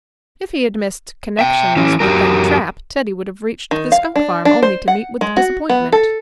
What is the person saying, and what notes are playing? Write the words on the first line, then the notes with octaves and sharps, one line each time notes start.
"If he had missed connections with that trap Teddy would have reached the skunk farm only to meet with disappointment."
E5 G5
E3 C#4
F#2 F#3 G4 A#4
D#3
F5
D4
D4
C5
F#5
G#3
F#4
B3
A4